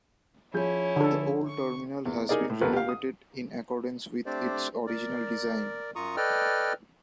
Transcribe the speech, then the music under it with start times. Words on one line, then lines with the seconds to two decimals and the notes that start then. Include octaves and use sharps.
The old terminal has been renovated in accordance with its original design.
0.54 F3 C#4 E4 G#4 G6
0.96 D3 A4
1.48 C#6
2.05 E2
2.29 D#4 G#4 A#4 D5
2.50 A2
2.61 D#2 F3 A3 A#4 B4
2.73 G4 F5
2.89 D#6
4.26 A3 C4 D4 G4 C5 D5
4.87 A#4 D5
5.96 F#2 F4 A#5 C#6 D#6
6.17 A4 B4 D5 D#5 G5 F6